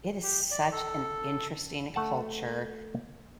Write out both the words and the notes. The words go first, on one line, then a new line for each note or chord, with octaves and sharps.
It is such an interesting culture,
G4
D5
A4
A3 F#5 A5